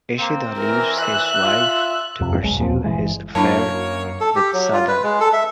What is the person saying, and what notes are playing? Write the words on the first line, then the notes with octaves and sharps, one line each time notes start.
Ishida leaves his wife to pursue his affair with Sada.
A#3 C4
E3 A#4
E5 F#6
F4
F2 C3
F#1 B1 G#3
D#2 A#2 F3 C4
G1 E3 G#3
F#2 A#3 D4 E4 C#5 A5
A4
G4
F#3
F4
B4
G#3
A4
E5